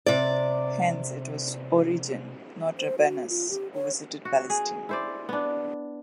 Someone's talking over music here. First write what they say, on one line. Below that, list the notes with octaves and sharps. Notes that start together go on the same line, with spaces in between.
Hence, it was Origen, not Rabanus, who visited Palestine.
C3 D5
C5
F#4
F4
G4
C#5
F#4
G#4
E4 C5 D5
B3 D4